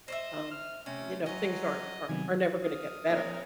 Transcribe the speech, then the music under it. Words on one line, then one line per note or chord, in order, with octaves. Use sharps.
um, you know, things aren't are are never gonna get better.
C5 C#5 D#5 E5
F6
C3 A3 C#4
F#3 C#4 F4 D#5
C3 D#3 F#3 B3 G#5
D#6 F6
A#1 C4 A#4 C#5